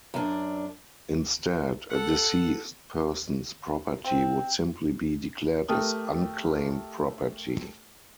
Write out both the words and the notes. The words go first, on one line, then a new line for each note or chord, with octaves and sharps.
Instead, a deceased person's property would simply be declared as unclaimed property.
F#2 D4
A4 F#5
C4
A3 G4 A#4 D#6